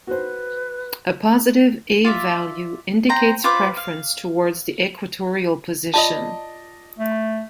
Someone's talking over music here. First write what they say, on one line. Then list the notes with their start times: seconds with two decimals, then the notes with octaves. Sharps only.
A positive A value indicates preference towards the equatorial position.
0.07 F#4 B4 C5
2.05 F4 D5 E5
3.09 C5 G5 A#5
3.44 F4 B4 C5 D6
3.77 F5
5.94 F4 D5 D#5 A5
6.99 A3